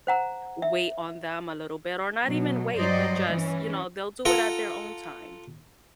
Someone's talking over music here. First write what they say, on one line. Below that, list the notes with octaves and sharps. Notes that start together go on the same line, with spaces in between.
wait on them a little bit or not even wait, but just, you know, they'll do it at their own time.
C5 F#5 A#5
E5
B2 F#3
G2 F#3 G3 C5 D5 D#5
E3 C#4
F4 A4 F#5 A#5